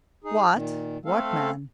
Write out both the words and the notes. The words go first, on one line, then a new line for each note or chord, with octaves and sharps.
"What--what man?"
D#4 G#4
A#2 D#3
A3 C4 A4 F5